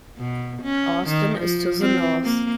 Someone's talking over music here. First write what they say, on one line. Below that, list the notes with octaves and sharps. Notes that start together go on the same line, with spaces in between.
Austin is to the north.
B2
C#4
D#3
F3
C4
A#3